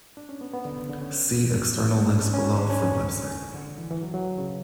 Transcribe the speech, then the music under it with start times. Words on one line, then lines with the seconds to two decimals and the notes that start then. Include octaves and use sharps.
See external links below for website.
0.17 D4
0.29 C#4
0.41 B3
0.54 B3
0.65 D3
0.77 C#3
0.89 D3
1.01 C#4
2.10 D4
2.22 C#4
2.34 C#4
2.58 D4
2.70 C#4
2.82 C#4
2.94 D3
3.54 D3
3.78 E3
3.90 E3
4.03 F#3
4.14 F#3
4.38 C#3